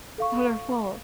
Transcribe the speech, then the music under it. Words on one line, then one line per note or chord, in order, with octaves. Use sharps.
Other flaw.
A4 F5 C#6